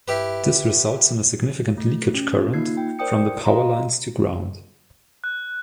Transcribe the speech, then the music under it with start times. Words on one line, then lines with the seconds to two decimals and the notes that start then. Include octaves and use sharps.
This results in a significant leakage current from the power lines to ground.
0.08 E4 G4 B4
1.78 A3
2.14 C#4
2.54 A#3 D#4 F4 G#6 C7
2.77 G5
2.99 A#4 C5 D5 G5 D#6 C#7
3.45 F4 D#5 F5 A#5 C6
5.24 F#6